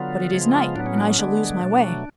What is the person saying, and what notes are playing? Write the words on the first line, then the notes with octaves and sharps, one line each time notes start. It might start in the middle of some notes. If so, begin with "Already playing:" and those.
"But it is night, and I shall lose my way."
Already playing: D3 F#3 B3 F4
C#3 F3 G#3 B3
A2 F#3 B3 D4
C#4
D4
C#4
D3 G#3 B3 D4
B2 F#3 A3